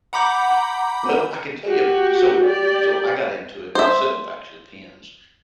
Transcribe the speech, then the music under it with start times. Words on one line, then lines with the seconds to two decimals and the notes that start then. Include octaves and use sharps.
Well, I can tell you. So so I got into it myself, actually, pins,
0.13 F#5 A#5 B5 D6 G6
1.68 F#4 G4
2.45 G4 D5
3.75 C5 E5